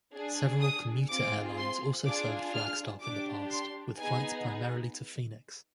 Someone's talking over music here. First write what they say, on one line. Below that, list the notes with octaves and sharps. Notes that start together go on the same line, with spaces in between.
Several commuter airlines also served Flagstaff in the past with flights primarily to Phoenix.
D4 G#4
D#6
C4 F4 G#4 D6
C6
D4 F4 G#4 D6
F6
D4 G4 D6
C6
B3 D#4 G#4 G#5